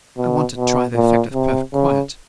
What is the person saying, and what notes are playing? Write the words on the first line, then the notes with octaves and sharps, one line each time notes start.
I want to try the effect of perfect quiet.
B2
B2
A#2
C3
C#3